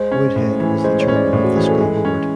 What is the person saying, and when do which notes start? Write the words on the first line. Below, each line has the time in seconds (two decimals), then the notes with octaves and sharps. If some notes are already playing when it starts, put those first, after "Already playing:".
Woodhead was the chairman of the school board.
Already playing: G#3 C5
0.12 C#4
0.36 A2
0.60 E3
0.84 G#3 C5
1.01 C#5
1.08 C#4
1.16 D5
1.33 A2 G#4
1.44 F#4
1.56 E3 G#4
1.69 A4
1.81 G#3
2.05 C#4